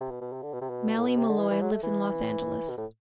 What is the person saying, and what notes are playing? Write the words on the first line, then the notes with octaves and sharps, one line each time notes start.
Maile Meloy lives in Los Angeles.
C3
B2
B2
C3
D3
B2
C3
B2
A2
B2
C3
D3
E3
E3
F#3
A3
E3
B2
A2